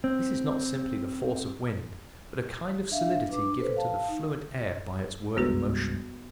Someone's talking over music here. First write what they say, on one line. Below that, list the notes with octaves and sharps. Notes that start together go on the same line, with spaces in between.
This is not simply the force of wind, but a kind of solidity given to the fluent air by its whirling motion.
C4
D4 E5 F5
D4 B4 D6
A4 B4 C5
F5 A5
D#4
C2 G2 G#3 B3 F#4 B4